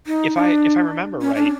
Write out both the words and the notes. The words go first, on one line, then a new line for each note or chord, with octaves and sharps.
if I if I remember right,
D#4
D4
C#4
D4